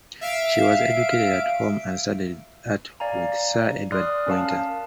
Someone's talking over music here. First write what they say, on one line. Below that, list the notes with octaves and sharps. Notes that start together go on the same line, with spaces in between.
She was educated at home and studied art with Sir Edward Poynter.
E5 F5 D7
D5 F5 G#5 A#5
D5 C6 D#6 F6 F#6
C#4 A#4 F5 A5